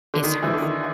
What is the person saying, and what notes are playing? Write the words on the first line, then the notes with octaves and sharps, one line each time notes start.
It's her fault.
D3
D#3
E3
D3
D#3